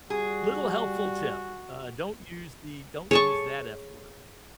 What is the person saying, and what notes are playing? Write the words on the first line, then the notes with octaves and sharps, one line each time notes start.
little helpful tip. Uh, don't use the don't use that f word,
G3 F#4 G#4
G#4 C#5 A5 C#6